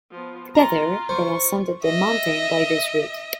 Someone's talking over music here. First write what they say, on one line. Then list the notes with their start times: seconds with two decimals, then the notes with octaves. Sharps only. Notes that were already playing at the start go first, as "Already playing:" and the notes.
Together, they ascended the mountain by this route.
0.11 F3 B3
0.55 F4 F#5 A#5
1.09 C5 C#6
1.83 D#5 E5